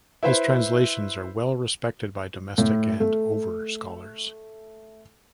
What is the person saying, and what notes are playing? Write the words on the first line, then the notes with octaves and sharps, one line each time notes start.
His translations are well respected by domestic and over scholars.
E4 B4 C5 E5
A2
A3